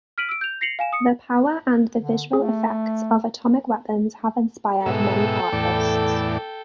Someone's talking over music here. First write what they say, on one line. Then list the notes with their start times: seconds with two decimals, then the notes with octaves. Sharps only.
The power and the visual effects of atomic weapons have inspired many artists.
0.18 F6 B6 D7 D#7 F#7
0.29 E6 D7
0.41 G6 F7
0.61 A#6 C7 C#7 F7 F#7
0.79 F5 G#5 E7
0.93 D#6 C#7
1.97 D3
2.33 A3 G#4
4.86 G#2 B2 A4 E5 G5
5.52 E2 A2 D5